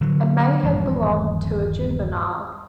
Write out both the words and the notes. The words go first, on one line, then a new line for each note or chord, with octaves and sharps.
It may have belonged to a juvenile.
D3 F#3
D#1 G2 E3 F3